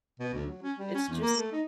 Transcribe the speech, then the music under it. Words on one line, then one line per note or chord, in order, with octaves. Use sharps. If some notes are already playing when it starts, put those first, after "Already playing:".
It's just
B2
D2
F#3
C#4
G3
C#4
E2
A#3
A3
D#4